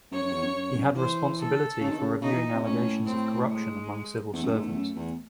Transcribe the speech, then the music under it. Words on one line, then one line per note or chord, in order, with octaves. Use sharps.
He had responsibility for reviewing allegations of corruption among civil servants.
F#2 C#5
F#2
E2
F#2
F#2
E2
F#2
E3 C5
A4
C#3
D#3
C#3
C#3 D#4
E3
C3
A2 C#4
C4
G#3
E2 A3
F#2
G#2
E2
F#2
E2